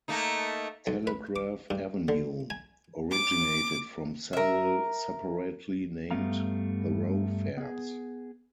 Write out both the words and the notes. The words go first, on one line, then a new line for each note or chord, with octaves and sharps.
Telegraph Avenue originated from several separately named thoroughfares.
A3 A#3 D#4
B1
B4
D6
G2
D3
G#5
D6
A#4 E5
G2 G3 A3 B3 F5 A#5
B3 G#4